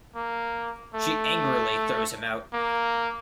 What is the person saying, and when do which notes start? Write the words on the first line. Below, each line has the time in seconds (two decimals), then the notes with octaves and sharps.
She angrily throws him out.
0.15 A#3
0.94 A3
2.53 A#3